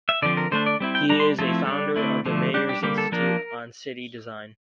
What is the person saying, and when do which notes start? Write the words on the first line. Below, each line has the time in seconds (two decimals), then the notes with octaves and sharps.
He is a founder of the Mayors' Institute on City Design.
0.09 E5
0.22 D3 F3 C4 D5
0.37 A#4
0.52 D3 A3 D4 C5
0.66 D5
0.80 G3 C4 E4
0.95 G5
1.09 G3 D4 A#5
1.20 C6
1.38 F3 A3 C4 E4 A4
1.67 G3 D4
1.96 D3 A3 C4 E4
2.25 D3 F3 A3
2.54 G3 D4 G4
2.69 G4
2.83 D3 G3 A#3 G4
2.98 A4
3.12 F3 A#3 D4 A#4